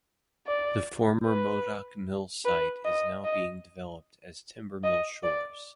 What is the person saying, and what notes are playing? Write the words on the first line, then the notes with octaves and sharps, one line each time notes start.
The former Modoc mill site is now being developed as Timbermill Shores.
D5
B4
B4
D#5
D#5
D#5
D5